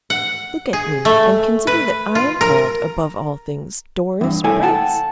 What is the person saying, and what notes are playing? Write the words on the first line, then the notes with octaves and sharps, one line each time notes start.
Look at me, and consider that I am called, above all things, Doris Brace!
F#5
G#4
A3
B4
F4
A#4
E2 G2
C2 A2 E4 A4 G#5
F#5 G5 A5